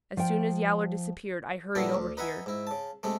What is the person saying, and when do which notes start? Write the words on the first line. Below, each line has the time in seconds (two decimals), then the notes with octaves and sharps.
As soon as Yowler disappeared I hurried over here.
0.17 F3 G5
1.75 A#2 D3 G3 B3 E4 F#4
1.94 D2
2.17 D#4 B4 E5 F#5 G#5
2.46 G#2 E4
2.67 C#3 A5
3.03 C3 G#3 A3